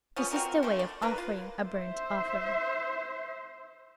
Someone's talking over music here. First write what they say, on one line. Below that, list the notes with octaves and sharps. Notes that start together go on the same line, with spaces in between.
This is the way of offering a burnt-offering.
F3 B3 C#4
C4 F4 F#4 A#4
D3 A3
D5
A#3 D4 A#4 B4
F4
C5 E5